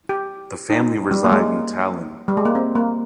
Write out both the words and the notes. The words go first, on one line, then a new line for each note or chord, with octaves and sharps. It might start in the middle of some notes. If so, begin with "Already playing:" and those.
The family reside in Tallinn.
G4
D#4
G3
A#3
G#3
G3
G#3
A#3
C4
A#3